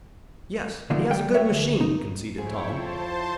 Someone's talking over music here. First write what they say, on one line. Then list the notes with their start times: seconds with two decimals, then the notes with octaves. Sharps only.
"Yes, he has a good machine," conceded Tom.
0.90 D3 D#3 F3 A3 A#3 D4
1.10 G3 G5
1.34 C#5 E5
1.51 D2
1.81 D#4
2.38 G#2 E4 G#4 C#5 G5
2.68 F2 F3 C5 A5